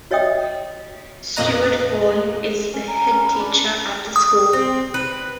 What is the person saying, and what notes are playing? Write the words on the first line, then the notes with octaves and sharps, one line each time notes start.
Stewart Vaughan is the Headteacher at the school.
F#4 C#5 D#5 E5 G5 D#6
F2 A#2 A#3 D#5 A#5 F#6
C#4
A#5
C#4
B5
D4
D#6
C4
B4